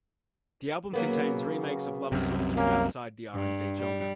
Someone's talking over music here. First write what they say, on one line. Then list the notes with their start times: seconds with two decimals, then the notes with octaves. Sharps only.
The album contains remakes of love songs from outside the R and B genre.
0.93 C#3 F#3 A#3 B3
2.12 C2 F#2 C3
2.57 A#3 C#4
3.35 G2
3.78 G3